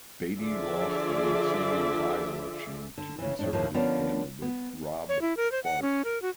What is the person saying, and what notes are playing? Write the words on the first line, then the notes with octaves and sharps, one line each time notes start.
Beatty lost the ensuing byelection to Conservative candidate Rob Clarke.
D3 F3 F4 G#4 D5 E5
D3
C#3 E3
F2 A2 D4
D#2 A2 D3 F3 A#3
D3 F3 A#3 B3 C#4 D4
B3
C#5
E4
A#4
C5
F#5
C#4
A#4
F#4